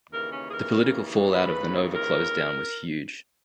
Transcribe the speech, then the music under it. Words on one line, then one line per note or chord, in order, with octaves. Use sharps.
The political fallout of the Nova closedown was huge.
D#2 C#3 E3 A#4
C#4
G#4
A#4
D#2 C#3 E3 B4
A#4